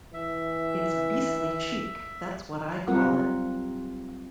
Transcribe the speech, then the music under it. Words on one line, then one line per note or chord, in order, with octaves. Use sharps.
It's beastly cheek, that's what I call it.
E3 E5
F#3 G3 C4 F4 A#4 F#5